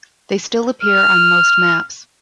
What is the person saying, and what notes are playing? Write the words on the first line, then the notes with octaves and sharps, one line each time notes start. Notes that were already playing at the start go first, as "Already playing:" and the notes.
They still appear on most maps.
F6